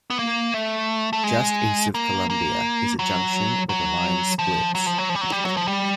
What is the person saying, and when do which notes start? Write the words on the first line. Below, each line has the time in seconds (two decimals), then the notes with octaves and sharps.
Just east of Columbia is a junction where the line splits.
0.10 B3
0.19 A#3
0.54 A3
1.13 A3
1.24 G#3
1.95 A#3
2.30 A#3
2.99 F#3
3.69 F#3
4.39 F3
4.75 F#3
4.86 F3
4.98 F#3
5.09 F3
5.15 G3
5.21 F#3
5.32 G3
5.45 F#3
5.57 F3
5.67 G3